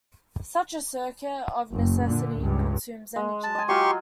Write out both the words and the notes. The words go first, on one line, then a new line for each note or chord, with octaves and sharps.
Such a circuit, of necessity, consumes energy.
F#1
A#2 D3
C#2 G2
G#3
A5
D#5 G#5
F#3 F4 G4 D#5 C6 C#6